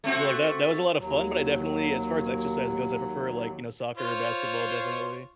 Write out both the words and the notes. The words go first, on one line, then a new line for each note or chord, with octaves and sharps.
So, like, that that was a lotta fun, but I definitely as far as exercise goes, I prefer, like, you know, soccer or basketball, definitely.
A3 C4 F#4
D#2 F#3
F4 C5 C#5